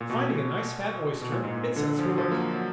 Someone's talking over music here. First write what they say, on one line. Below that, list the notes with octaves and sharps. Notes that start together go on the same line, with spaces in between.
Finding a nice fat oyster, it sets to work.
A#2
B2
A#2
B2
A#2
G#2
A#2
D3
F3
F#3
F3
A#3
F#3